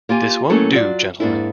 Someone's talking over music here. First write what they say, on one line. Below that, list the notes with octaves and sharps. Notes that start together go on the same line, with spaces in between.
This won't do, gentlemen!
A#3 F4 G4 G#5
F#3 A3 A#3 C#4 E4
F#3 F4 D5
G#2 A#3 D4 E4